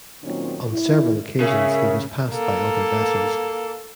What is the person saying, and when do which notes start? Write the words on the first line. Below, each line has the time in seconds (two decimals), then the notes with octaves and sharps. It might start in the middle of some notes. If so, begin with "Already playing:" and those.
On several occasions he was passed by other vessels.
0.23 A#2 D#3 F#3 C4 C#4 D#4
0.72 E4
1.41 C#3 G#4 A#4 C#5 E5
2.31 A#3 A4